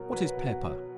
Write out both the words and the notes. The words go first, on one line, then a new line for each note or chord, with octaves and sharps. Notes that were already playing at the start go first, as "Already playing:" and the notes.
What is Pepper?
Already playing: B2 F#3 A#4
F#3 B4
B2
F#3